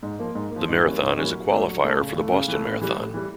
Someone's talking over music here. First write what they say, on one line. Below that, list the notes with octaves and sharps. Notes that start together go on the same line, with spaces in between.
The Marathon is a qualifier for the Boston Maraton.
G#2
F3 A#3
G#2
F3 A#3
G#2
E3 G3 A#3 C#4
G#2
E3 G3 A#3 C#4
F#3
A3 D4
F#3
A3 D4
C#3
E3 A3
C#3
E3 A3
A2
E3 G3
A2
E3 G3